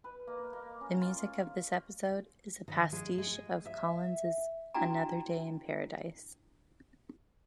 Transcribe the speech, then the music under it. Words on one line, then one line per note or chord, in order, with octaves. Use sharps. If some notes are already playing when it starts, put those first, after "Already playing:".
The music of this episode is a pastiche of Collins's "Another Day in Paradise".
B4
A#3
A#3
C#4
F4
D#3
G#3
G#3
E5
D4 E4 F#4 G5 G#5 A#5